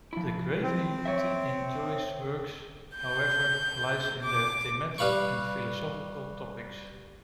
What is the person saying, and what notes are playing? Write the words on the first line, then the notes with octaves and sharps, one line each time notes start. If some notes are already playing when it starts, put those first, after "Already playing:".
The greater unity in Joyce's works, however, lies in their thematic and philosophical topics.
F3 E4
C4
C#5 E5
G6
D6
G3 B4 F5 B5 C#6